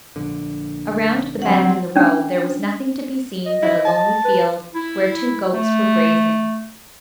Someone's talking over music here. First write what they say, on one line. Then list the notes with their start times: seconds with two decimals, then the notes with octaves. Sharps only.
Around the bend in the road there was nothing to be seen but a lonely field where two goats were grazing.
0.16 A#1 D3
1.42 F#3 C4 F#5
1.96 C#4 D4
3.46 D#5
3.63 E4
3.85 A5
4.25 B4
4.75 E4
5.53 A3